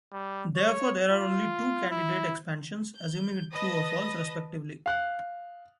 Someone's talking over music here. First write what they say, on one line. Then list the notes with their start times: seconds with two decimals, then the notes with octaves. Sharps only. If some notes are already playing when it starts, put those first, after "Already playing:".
Therefore, there are only two candidate expansions, assuming it true or false, respectively.
0.12 G3
0.56 C#5
1.11 F4
1.91 E4
2.95 G6
3.53 B4 D#5 A5 D#6 A#6
4.86 F5 F#6